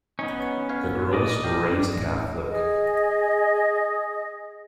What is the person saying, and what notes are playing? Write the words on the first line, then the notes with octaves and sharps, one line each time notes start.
The girls were raised Catholic.
B3 C#4 D#4 C#5
C#5 F5
D5 D#5
G4 F5
A1
G#4 D#5